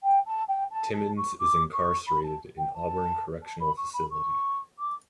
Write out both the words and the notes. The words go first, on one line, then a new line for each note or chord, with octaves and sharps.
Timmons is incarecerated in Auburn Correctional Facility.
G5
A5
G5
A5
A5
C#6
D6
C#6
B5
A5
G5
A5
A5
B5
C#6
B5
C#6
D6